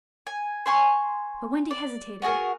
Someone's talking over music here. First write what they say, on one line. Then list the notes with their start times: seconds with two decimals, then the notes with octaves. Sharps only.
But Wendy hesitated.
0.27 G#5
0.66 C5 G#5 C6 C#6
1.71 D5
2.22 B3 F#4 G#4 A#4